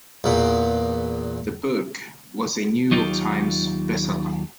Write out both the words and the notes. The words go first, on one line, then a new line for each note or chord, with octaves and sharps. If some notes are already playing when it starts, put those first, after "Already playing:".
The book was a "New York Times" bestseller.
E2 A#2
D#2 F#3 D#4 F4 G4